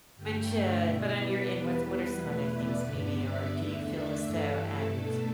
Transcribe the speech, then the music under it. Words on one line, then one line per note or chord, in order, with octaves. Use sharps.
Which, uh, but on your end, what's what are some other things maybe? Or do you feel as though, um,
G2 D3 A3 G5
E5
B2 G3 E4 D5
B4
E2 E3 G3 B3
E2 B2 A3 E4 B4
D5
G2 D3 B3 D5
E5
E2 D3 A3 D4
D5
G2 E3 A3 E4 A4
A4
B2 A3 D4 A4